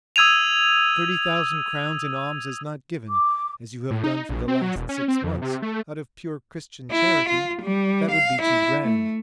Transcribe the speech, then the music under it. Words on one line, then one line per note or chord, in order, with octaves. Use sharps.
Thirty thousand crowns in alms is not given, as you have done for the last six months, out of pure Christian charity; that would be too grand.
D#6 E6 G#6 D#7 F7
D6
A2
D#4
A#1
C4
F#3
E1
C#4
C4
F2
C3
A3
E4
F4
G3
F5
E4
A3